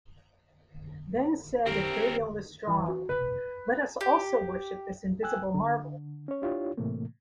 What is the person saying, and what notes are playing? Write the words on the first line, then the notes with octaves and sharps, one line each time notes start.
Then said Ithuriel the strong; let Us also worship this invisible marvel!
C4 G4 A#4 C7 D7
E3
F#4
B4
G4
G5 G#5 E6 F#6
D3
C#4 C#5
D4 E4 F4 G4 C#5
A2 C3 E3 A3 A#3